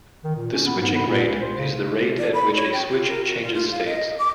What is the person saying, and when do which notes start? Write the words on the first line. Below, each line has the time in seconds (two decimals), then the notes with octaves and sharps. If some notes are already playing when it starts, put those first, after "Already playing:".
The switching rate is the rate at which a switch changes states.
0.24 D#3
0.36 A#2
0.52 C#4
0.66 B3
0.79 G#2
0.94 B3
1.07 A#2
1.28 C#2
1.41 C5
1.57 C#3
2.18 D5
2.34 B5
2.56 C#5
2.73 G5
2.90 F4
3.08 A#4
3.25 F#4
3.42 F4
3.54 F4
3.72 F5
3.85 D#5
4.19 D6